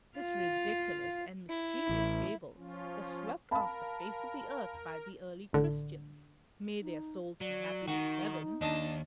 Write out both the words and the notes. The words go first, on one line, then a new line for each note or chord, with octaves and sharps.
This ridiculous and mischievous fable was swept off the face of the earth by the early Christians--may their souls be happy in Heaven!
F4 F5
E4
A1
F3 C#4 F4
A#4 F5 A5 B5
A1 D3
D#4
F#3 D5
D#3 D#4 F#4
D#2 D4 D#5 A5